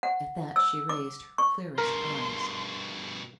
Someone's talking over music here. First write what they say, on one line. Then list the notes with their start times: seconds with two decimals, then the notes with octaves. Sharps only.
At that she raised her clearest eyes.
0.03 F#5
0.56 E6
0.89 D6
1.38 C#6
1.78 G2 B2 A#4 C6